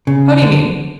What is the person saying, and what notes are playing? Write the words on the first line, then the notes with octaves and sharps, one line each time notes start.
How do you mean?
C#3
D3